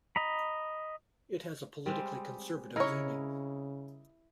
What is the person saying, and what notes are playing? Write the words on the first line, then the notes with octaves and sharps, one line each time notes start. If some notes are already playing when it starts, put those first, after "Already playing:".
It has a politically conservative leaning.
D#5 A#5 B5
G3 G#3 C4
C#3 D#4 E4 A#4 C#5